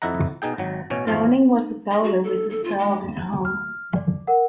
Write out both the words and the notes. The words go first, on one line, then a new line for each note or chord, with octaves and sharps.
Downing was a bowler with a style of his own.
F2 E4 D#5 F#5 A#5
B2 D#4 G#4 G5
G#1 F#3
A1 B2 C#4 C#5
G#1 E2 F3 F4
D#5
F#4
A4
A4
F4
G#3
F6
D5
A#4 F#5